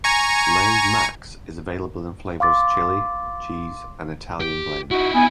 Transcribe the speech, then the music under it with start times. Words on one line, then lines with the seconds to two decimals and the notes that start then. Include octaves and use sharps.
Lay's Max is available in flavors: Chili, Cheese and Italian Blend.
0.04 G#5 A#5 C#6
2.40 F5 C6 D6 A6
4.41 G4
4.91 D#4 E4 F#4
5.14 B3 G#5